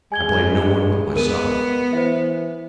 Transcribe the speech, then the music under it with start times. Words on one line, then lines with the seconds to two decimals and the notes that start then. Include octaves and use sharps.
I blame no one but myself.
0.12 G#3 G#5 G#6 G7
1.16 B3 A#4 D#7
1.93 E3 C5 E5